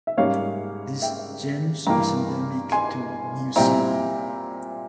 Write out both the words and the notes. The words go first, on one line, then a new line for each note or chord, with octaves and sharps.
This genus is endemic to New Zealand.
E5
G#2 G3 A#3 C#4 C#5 F5
E5 G5
G2 E3 A#3 G5 A#5
G#5 C6
A#2 G3 C4 E4 G5 A#5